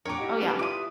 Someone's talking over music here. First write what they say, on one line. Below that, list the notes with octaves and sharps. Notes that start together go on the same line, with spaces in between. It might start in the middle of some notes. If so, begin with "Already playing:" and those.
Oh yeah,
F2 A#2 D4 A#4 C#5 G5 A#5 D6
E4 G4 D#5 F#5
B3 C#4 D#4 B4
E4 F4 D5 D6 D#6